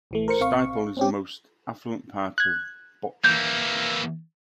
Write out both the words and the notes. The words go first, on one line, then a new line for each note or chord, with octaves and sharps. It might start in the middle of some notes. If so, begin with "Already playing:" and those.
Stiepel is the most affluent part of Bochum.
A#1 E3 A3
A#4 C5 C#7
A1 C4 F5 C#6
C4 C#4 G4
F#6 G#6
E3 A#3 G6